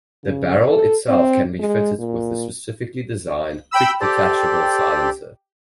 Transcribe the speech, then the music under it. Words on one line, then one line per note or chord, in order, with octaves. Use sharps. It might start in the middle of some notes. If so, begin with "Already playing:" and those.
The barrel itself can be fitted with a specially designed quick-detachable silencer.
C#3
A4
C4
G#3
A#2
G5 B5 E6
G4 A4 C5 D5